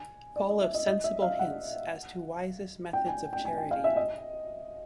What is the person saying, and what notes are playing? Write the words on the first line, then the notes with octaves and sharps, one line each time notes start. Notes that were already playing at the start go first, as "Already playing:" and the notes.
Full of sensible hints as to wisest methods of charity.
Already playing: G#5
D5
D#5
E5
D#5
D#5
E5
F5
F#5
G5
G#5
G5
G#5
G5
F5
E5
D#5